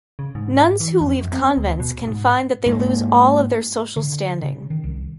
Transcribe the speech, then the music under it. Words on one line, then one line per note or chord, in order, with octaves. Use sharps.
Nuns who leave convents can find that they lose all of their social standing.
C#3
G#2
E3
F2
F#2
C4
D2
B2
G#2
G#2 A#3
D3
C#3
D#3
C2